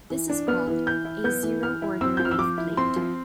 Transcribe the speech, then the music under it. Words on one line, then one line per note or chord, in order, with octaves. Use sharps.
This is called a "zero-order waveplate".
E3
D4
B3 F6
E3
E3 G6
E4
B3 G6
E3
E3 F6
E4
C4 E6
F3 G6
F6
E6
F3 D6
E4
C4 C6
F3